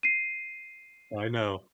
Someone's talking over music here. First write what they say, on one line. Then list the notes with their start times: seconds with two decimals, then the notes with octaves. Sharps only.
I know.
0.03 C7 D#7